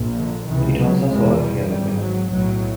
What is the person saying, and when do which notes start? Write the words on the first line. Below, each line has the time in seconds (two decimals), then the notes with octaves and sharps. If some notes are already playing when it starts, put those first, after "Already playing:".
It also sold fairly well.
Already playing: A#1 A#2
0.19 D3
0.49 C#2 C3 E3
0.79 F#3
1.10 F1 E2 B2 G#3
1.39 G3
1.69 G#1 G#2 G3
1.99 F#3
2.30 B1 A2 F#3